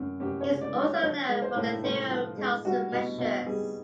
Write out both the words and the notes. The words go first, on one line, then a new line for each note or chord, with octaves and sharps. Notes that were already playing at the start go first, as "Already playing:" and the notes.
He is also known for the theory of Carleson measures.
Already playing: F#2
F#2 G4
C#5
C#3
D5
E3
C#5
F3 C#5
G#3
C5
A2
A2 C5
F3
G#3
G3 F#4
B2
B2
G3 G#4